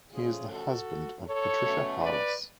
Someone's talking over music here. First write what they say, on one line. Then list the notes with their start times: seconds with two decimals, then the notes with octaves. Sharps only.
He is the husband of Patricia Harless.
0.12 F2 C#3 F3 A3 C#4 F4 G#4
0.50 F#4 A4
1.26 A4 C#5
1.63 B2 F#3 A3 C#4
2.00 B4 D5